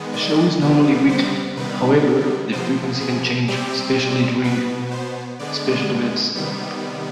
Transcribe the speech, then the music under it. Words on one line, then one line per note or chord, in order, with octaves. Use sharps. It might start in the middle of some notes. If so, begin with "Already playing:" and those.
The show is normally weekly, however, the frequency can change, especially during special events.
Already playing: D#3 G#3 B3
D5
C3 G3 B3
C5
C3 D#3 G3 B3 B4
C3 F3 B3 C5
G#4
C3 G3 C4 G4
B2 B3 B4
C5
D3 G#3 B3 D5
C3 D#3 G3 B3